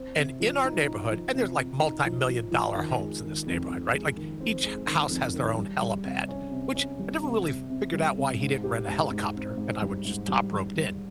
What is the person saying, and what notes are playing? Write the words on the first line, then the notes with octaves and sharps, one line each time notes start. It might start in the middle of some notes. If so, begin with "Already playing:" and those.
And in our neighborhood and there's like multi-million dollar homes in this neighborhood, right, like, each h house has their own helipad, which I never really figured out why he didn't rent a helicopter, and I would just top roped in,
Already playing: C4
C3
F3
D#4
D#4
F3
C3
C3
D#4
F3
F3
F3
D#3
G#3
D#3
F2
F2
G#3
D#3
C4
G#3
D#3
F2
D#3
G3
G3
C3
C#4
C3
C#4
G3
C3
C3
C3
G3
C3
G#2
G4
G#2
G#2
C4
G#2
G3
G#2
G3
G3
G3